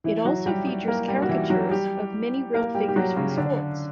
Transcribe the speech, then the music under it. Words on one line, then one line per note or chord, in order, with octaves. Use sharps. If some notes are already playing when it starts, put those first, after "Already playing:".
It also features caricatures of many real figures from sports.
E3 E4
F#3 F#4
G3 G4
G3 G4
A#3 A#4
G3 G4
F#4
E3 E4
F#3 F#4
G3 G4
A#3 A#4
G3 G4
G4
F#3 F#4
C#3 C#4
D3 D4